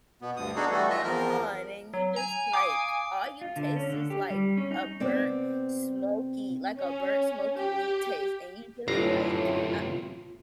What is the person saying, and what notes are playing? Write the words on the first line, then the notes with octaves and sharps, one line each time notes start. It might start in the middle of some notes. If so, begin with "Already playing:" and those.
gone, and you just, like, all you taste is, like, a burnt smoky like, a burnt smoky meat taste, and you just, like, uh
B2 B3
D2 G2 D#6
B3 D4 D#4 F#4 G#4 A4
E3 G3 A3 F#4 A4
F4 D#5 E5
E2 F3 A#4
F#3
G#5 A#5
F5 D6 D#6 D7
F4
D3
C#4
D3
G4
G3
C#4
D#4
C3 B3 C4 D5
C#4
G4
G1 F#2 A2 C3 F4 F5 A#5